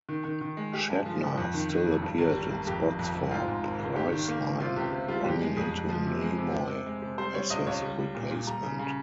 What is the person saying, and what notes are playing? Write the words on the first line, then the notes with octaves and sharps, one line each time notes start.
Shatner still appeared in spots for Priceline, running into Nimoy as his replacement.
D#3
D#3
D#3
G#3
G#3 G4
G2
F3
F3
F2
D#3
D#3
F1
G2
G#1
G3
G#1
F2 G4
F2
F2
C3
G#2 F4
G#2
G#1
G#1
D#3 G4
D#3
A#3
D#3
C3 F4
C#2 G4
C3
G3 F4
F2 G4
G#3
F2 G#4
F2
F3
C3
G#3
C3
C3
C3
G#3
C3
G3 C5
G3 C#5
C#2 D#5
C#2 C#5
G3
G3
A#2
A#2
G3 A#5
C#3
C#3